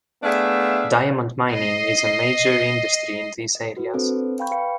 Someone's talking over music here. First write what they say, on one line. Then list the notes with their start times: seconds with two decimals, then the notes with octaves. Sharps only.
Diamond mining is a major industry in these areas.
0.23 A3 B3 D4 G#4 E5 F5
1.52 D#5 C7
3.55 D#5
3.77 F#4 B4
3.93 C4 D4 A4 B4 C5
4.39 F5 G5 A5 B5 C#6 G6
4.51 B4 F5 C#7